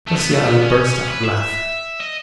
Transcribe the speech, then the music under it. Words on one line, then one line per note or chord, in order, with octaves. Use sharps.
Josiana burst out laughing.
A3
B3
A3
B3
C#4
B4
E5
D#5